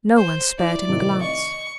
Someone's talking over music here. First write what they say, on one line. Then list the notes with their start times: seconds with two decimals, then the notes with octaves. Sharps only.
No one spared him a glance.
0.16 C5
0.58 E4 D5
0.89 A2 C3 D#3
1.21 D#5 C#6